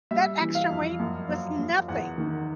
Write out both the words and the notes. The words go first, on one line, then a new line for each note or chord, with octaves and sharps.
that extra weight was nothing.
G3 E5
E3
F5
F2
F#2
F#3
F#2
E2 F#5
D#3